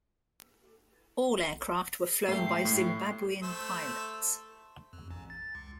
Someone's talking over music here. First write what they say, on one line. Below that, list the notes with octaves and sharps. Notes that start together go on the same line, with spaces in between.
All aircraft were flown by Zimbabwean pilots.
G#2 A3 G4 C7
A2
A3 C5 E6
F2
A1
A6
C#2